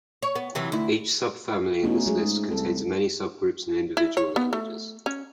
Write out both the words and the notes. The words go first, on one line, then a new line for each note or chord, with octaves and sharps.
Each subfamily in this list contains many subgroups and individual languages.
C#5
B3
C3 E3 F#3
D2 E4
B2 A3 C#4 D#4
F#3 G#3 G#4
G#2
C2 A4
E4
C#5
B3
A3
C#4